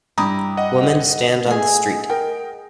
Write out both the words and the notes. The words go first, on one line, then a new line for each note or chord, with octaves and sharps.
Women stand on the street.
G2 E4 G4 A#5 D#6
D#5 F#5
A3 G#4 E5
A#4 G5